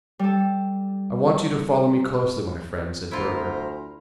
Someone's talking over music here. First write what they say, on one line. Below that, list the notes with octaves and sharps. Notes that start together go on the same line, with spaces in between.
"I want you to follow me closely, my friend," said Burger.
G3 A4
D2 E4 F4 C5 A#5